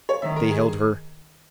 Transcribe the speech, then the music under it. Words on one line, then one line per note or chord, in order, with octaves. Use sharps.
They held her.
C#5
D#3 E5
A#4
G#4